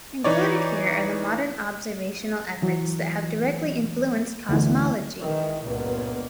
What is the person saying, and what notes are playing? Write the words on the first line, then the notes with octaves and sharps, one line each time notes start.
Included here are the modern observational efforts that have directly influenced cosmology.
E3 D#4 C#5 D5
E3 F#3
D2 D3 E3
D#3 E3 G#3
C#2 G2 A#2 A#3 B3